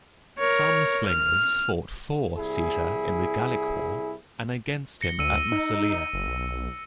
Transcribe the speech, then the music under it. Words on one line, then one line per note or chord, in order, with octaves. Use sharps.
Some slingers fought for Caesar in the Gallic War, and against him at Massalia.
A#4 C#5
F6
C2 E4 G#4
A#6 C#7 G7
D2 E6 C#7 D#7
D#4
F#1
B1